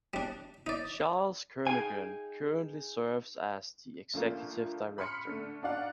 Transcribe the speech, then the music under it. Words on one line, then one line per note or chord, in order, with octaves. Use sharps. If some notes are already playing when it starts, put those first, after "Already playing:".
Charles Kernaghan currently serves as the Executive Director.
G3 D4
D#4 D5
D#4 G4 G#4 F5 G5 G#5
D2 D3 F3 A3 A#3
B5 C6 F6 B6 C#7
D3 A3
D4 D#4 F#4 D5 F5 F#5